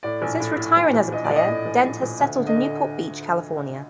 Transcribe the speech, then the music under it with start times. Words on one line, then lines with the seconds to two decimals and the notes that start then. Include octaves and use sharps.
Since retiring as a player, Dent has settled in Newport Beach, California.
0.03 A2 D5
0.22 A#1
0.40 A2
0.57 A2
0.76 A#1
0.93 A#1
1.12 A#1 D#5
1.24 D5
1.30 A#1
1.36 D#5
1.47 A2
1.66 A#1
1.84 A#1
2.02 A#1
2.20 D2
2.38 D3
2.47 D#5
2.56 D3